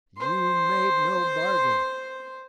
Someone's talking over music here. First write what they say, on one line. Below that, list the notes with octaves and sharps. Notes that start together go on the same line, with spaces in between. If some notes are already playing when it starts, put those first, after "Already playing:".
"You made no bargain."
C5 C6